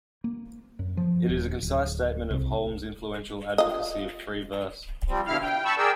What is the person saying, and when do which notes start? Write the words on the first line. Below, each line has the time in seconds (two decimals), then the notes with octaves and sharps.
It is a concise statement of Hulme's influential advocacy of free verse.
0.24 A#3
0.79 F#2
0.97 F3
1.29 D#1
1.63 D1
2.31 C2
3.58 F4 D#5
5.09 F3 G3 C4
5.27 B2 D3 E4 F5 F6
5.43 G5
5.65 A5 B5 C#6 E6
5.78 G#4 A#4 D5 G5 E6